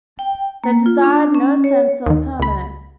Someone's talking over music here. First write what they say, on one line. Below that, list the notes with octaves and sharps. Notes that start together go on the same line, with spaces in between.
They desired no sense of permanence.
G5
A#3
F4
D4
C#4
C#5
D#2 D#3
C#2 B5